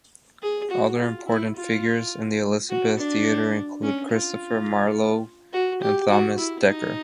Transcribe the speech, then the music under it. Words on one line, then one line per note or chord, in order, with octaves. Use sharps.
Other important figures in the Elizabethan theatre include Christopher Marlowe, and Thomas Dekker.
G#4
F#4
F4
E4
F4
F#4
D4
C#4
F4
F#4
G4
F#4
E4
D#4